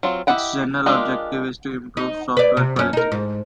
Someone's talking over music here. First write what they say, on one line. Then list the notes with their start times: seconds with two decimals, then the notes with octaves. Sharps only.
Its general objective is to improve software quality.
0.03 F#3 C4 F4
0.27 E4 G4 D#5 F#5 G5
0.86 G#3 D4 F4 G4 A#4
1.97 D#4
2.37 B4 D5
2.57 C3
2.76 F#2 C#4
2.93 D#4 A#4
3.12 G#2